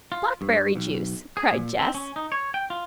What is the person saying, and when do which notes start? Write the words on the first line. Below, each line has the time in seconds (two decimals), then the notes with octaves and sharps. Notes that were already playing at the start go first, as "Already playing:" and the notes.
"Blackberry juice!" cried Jess.
0.12 F4
0.41 G2
0.76 B1
1.37 G#4
1.53 A#2
1.79 C4
1.94 C#4
2.16 D#4
2.32 C#5
2.54 G5
2.70 F4